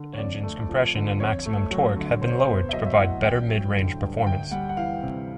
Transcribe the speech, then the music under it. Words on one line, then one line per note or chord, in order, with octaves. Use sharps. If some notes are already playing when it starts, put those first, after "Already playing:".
The engine's compression and maximum torque have been lowered to provide better midrange performance.
Already playing: D3
C#5
F2 D5
A3
F3
D3
F2 C#5
A3
F#3
D3
B1 C5
C#5
C5
B3
E5
F#3 D#5
E5
A2 F#5
F#5
A1 G5
F#3
D3
G2
D2 G5
G3 F#5
F#5
E3 F5
C3